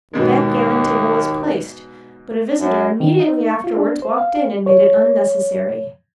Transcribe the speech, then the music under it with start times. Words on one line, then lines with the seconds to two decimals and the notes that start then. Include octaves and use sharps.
The backgammon-table was placed; but a visitor immediately afterwards walked in and made it unnecessary.
0.13 D#2 G#2 B2 G#3
2.59 F#2
3.00 D#3
3.20 D#4
3.51 C#6
3.64 F4
3.77 D4
4.02 C5
4.18 F5
4.66 C#5